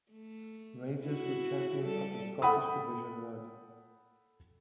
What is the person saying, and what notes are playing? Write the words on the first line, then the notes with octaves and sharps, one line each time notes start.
Rangers were champions of the Scottish Division One.
A3
E4 F#4
G3 A4
A4 F#5 G5 B5 D#6